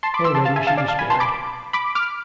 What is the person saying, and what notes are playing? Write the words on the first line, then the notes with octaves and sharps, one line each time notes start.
Already she despaired.
A5 C6
B5 D6
C6 E6
A5 C6
F5 A5
E5 G#5
F5 A5
D5 F5
F5 A5
G#5 B5
A5 C6
B5 D6
B5 D6
D6 F6